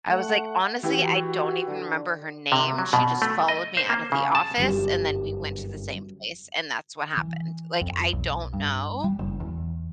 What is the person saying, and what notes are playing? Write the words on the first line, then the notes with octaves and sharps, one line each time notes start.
I was, like, "Honestly, I don't even remember her name, she just followed me out of the office, and then we went to the same place, and that's what happened, like, I don't know.
A3 F#5
E3 F#4 G4
D3
C3
F#3
B2
A3
D#5
C5
A#3
C#3
A5
G1 F#2 G3
E3
F2
B1
G2
G3
F#1
E2